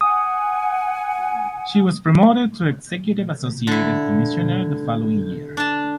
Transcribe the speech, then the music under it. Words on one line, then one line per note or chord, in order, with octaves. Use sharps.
She was promoted to executive associate commissioner the following year.
F#5 G#5 D#6
D3 E4
D4 A5